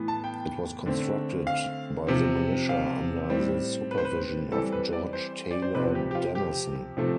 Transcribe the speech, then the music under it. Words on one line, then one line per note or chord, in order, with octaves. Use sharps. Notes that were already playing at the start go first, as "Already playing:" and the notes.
It was constructed by the militia under the supervision of George Taylor Denison.
Already playing: A2 E3 B3
A5
G5
D3 A3 C4
F5
C3 F3 C4
F5
A2 G3 C4
B4
C5
B4
E3 G3 C4 A4
B4
D5
C5
D5
C5
C3 F3 C4 B4
G4
G4
F4
G4
C3 F3 A3 C4